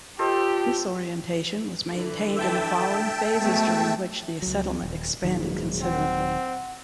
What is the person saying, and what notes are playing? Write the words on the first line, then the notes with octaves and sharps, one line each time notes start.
This orientation was maintained in the following phases during which the settlement expanded considerably.
F4 G4 A4 C5 D#5
D3 E3
E5 G5 A5
G#3 A3 B3 F#4
C#2 F#3
D#1
D#1 A#1 G#2 B2 D#3 F#3
C4 F#5